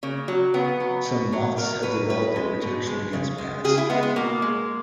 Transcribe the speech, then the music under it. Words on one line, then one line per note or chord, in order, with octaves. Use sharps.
Some moths have developed a protection against bats.
C#3 A#3
F#3
C#3 B3
F#3
B2
F#3
B2 A#4
F#3 B4
B2 B4
G#3
B2
G#3
C#3
G#3
C#3 G#4
E4
G#3 B3
B3
B2 A#3
G#3